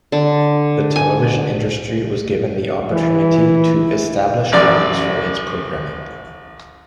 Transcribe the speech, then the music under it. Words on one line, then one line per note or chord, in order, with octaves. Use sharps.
The television industry was given the opportunity to establish ratings for its programming.
D3
G#5
E3
A1 F#2 D5